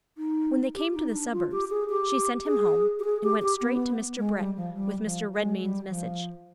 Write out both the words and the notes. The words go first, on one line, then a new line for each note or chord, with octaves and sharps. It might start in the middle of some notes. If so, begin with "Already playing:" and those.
When they came to the suburbs, she sent him home, and went straight to Mr. Brett with Mr. Redmain's message.
D#4
G4
D#4
D4
F4
G4
G#4
G4
G#4
G4
G#4
G4
G4
B3
G#3
G3
F3
G3
F3
G#3
G3
F3